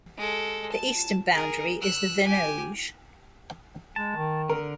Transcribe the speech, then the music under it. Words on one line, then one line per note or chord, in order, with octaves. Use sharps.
The eastern boundary is the Venoge.
G#3 A4
A5
G#4 A#4
E6 F#6
G4 G#5
G#3 A5
D#3
D3 A#4